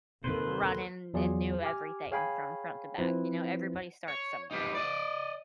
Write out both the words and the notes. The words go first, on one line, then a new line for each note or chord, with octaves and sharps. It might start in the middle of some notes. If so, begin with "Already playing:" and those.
running and knew everything from front to back, you know? Everybody starts somewhere.
D#2 C3 D#3 A4 B4 C5
E2 F#3 F4 G#4 D5
G4 G#5 D6 F6
G#4 C#5 F5 G5 G#5 B5
F3 C4 E4 B4 C5
C#5
D#4 G4 B4
D5 D#5